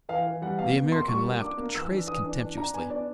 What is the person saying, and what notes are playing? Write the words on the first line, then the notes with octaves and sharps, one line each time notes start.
The American laughed a trace contemptuously.
E3 F5
E3
G3 F#5
B2 F5
B2
A#3 C6
G3 C#6
A#3
D4 D6
A#3
E3 E6
D4
E3 D#6
D4
D4
D4 A#5
B3 G#5
D4 D5